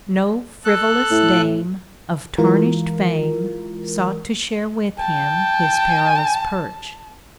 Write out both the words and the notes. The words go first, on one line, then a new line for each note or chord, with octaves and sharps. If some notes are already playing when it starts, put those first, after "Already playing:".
No frivolous dame of tarnished fame sought to share with him his perilous perch.
A4 F#6
A2
E3 G#3 F4 A#4
G5 A5